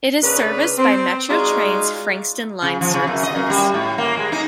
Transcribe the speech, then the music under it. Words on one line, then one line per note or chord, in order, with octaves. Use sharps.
It is serviced by Metro Trains' Frankston line services.
C#3 A#3 C#4 D4 B4
C4
G#3 D#4 F4 F#4 G#4 D5
C#3
F3
C#3
F#2
D#5
F#2
G3
A2
A#3
G#3
D#4